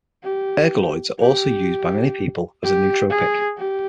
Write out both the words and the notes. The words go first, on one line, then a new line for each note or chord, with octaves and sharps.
Ergoloids are also used by many people as a nootropic.
G4
G4
G4
G#4
G4